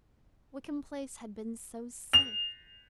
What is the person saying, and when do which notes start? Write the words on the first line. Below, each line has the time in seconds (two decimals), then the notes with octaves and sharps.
Wickham Place had been so safe.
2.13 F7